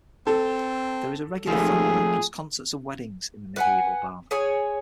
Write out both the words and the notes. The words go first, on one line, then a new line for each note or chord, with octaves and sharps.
There is a regular folk night plus concerts and weddings in the medieval barn.
C4 A4
D#2 F3 A3 G#4
B4 F#5 G#5
G#4 C#5 G#5